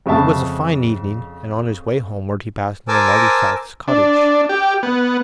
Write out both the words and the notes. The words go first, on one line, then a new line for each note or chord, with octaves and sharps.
It was a fine evening, and on his way homeward he passed near Marty South's cottage.
F2 C#3 G#3 E5 A5
A#4 C5 G#5 A5 D6 E6
D4
G4
B3